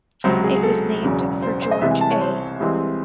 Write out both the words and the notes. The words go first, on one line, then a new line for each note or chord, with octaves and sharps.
It was named for George A.
C#2 C3 F#3 C5
G#4
G#4
A4
E1 E2 C#3 F#3
C5
C5
D#5
C2 C3 E3 G#3 E5
G#5
A5
C#5
C5
C2 C3 E3 G#3 C4